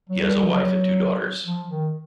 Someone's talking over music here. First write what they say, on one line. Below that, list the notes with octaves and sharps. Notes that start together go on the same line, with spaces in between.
He has a wife and two daughters.
F#3
G3
F3
F#3
F3
D#3